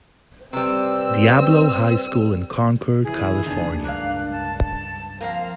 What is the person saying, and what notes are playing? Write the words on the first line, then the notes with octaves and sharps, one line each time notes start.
Diablo High School in Concord, California.
C3 G3 C4 B4 E6
C3 E3 E4 G#4
F1 F2 D#3 B3 D4
C#2 G2 A#3 F5 F#6
A5
F3 A#3 C4 F5 A#5